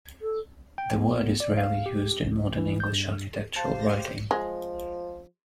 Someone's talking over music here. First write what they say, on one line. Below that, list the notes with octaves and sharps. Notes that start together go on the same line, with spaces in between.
The word is rarely used in modern English architectural writing.
A4
G5
B3
D5
F5
G4
C#2
E3
G6
G2
G4 C5 F5 A5
F3 G#3